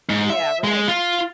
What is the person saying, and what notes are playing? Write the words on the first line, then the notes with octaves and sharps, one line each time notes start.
Yeah, right.
G#2
E5
G#3
F4